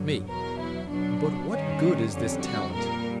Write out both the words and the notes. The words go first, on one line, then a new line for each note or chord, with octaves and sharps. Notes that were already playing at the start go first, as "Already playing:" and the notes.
ME: But what good is this talent?
Already playing: G2 D3 F#3
E2 B2 F#3 A#4
E4
B2 F#3 D4
G2 D#3 G3 C#4
F2 D3 G3 C#4
F#4
A#2 G3 A#4